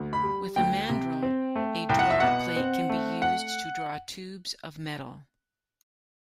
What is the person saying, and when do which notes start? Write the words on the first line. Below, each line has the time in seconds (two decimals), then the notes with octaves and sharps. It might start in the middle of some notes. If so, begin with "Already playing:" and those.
With a mandrel, a draw plate can be used to draw tubes of metal.
Already playing: D2
0.13 B5
0.23 G3
0.56 D2 G5
0.89 C3
1.23 C4
1.56 A3
1.89 C2 G5
1.99 F#5
2.10 E5
2.20 B2 F#5
2.56 C4
2.89 A3
3.22 F#5